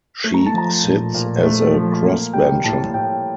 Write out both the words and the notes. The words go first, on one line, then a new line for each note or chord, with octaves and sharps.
She sits as a Crossbencher.
A3
A#5
A5
F3 A#5
A#2
A#2
A3
F3
A#3
G3 G5
A2 A5
A2 G5